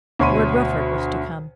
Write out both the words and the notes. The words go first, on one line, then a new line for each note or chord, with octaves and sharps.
Lord Rufford was to come.
D2 B2 C#5 B5 C6 D#7